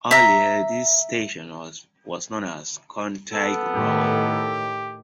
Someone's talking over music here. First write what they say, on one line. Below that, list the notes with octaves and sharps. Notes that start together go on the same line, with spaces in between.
Earlier this station was known as Contai Road.
E5 A#5
B3 A4
A2 D#3 G4